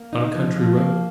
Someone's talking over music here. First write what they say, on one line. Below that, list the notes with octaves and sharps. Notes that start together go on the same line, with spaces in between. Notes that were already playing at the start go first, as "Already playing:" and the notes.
On a country road?
Already playing: A#3
D#4
F3
F3
A#3